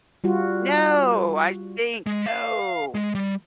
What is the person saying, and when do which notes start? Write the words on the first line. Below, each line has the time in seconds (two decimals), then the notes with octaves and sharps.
No! I think, no.
0.24 G3 F4 F#4
2.07 G#3
2.26 F5
2.95 G#3
3.15 G3